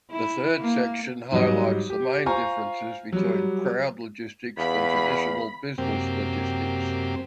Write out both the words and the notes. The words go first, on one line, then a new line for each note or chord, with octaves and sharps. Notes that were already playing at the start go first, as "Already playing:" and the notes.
The third section highlights the main differences between crowd logistics and traditional business logistics.
E4
A#3
G#2 F#3 G3 D#5 D#7
G4
F4 C5 F5 G#5 A#5 C#6
F#3 G3
E2 F5 B5
F#2 C3 A#3 C4 G4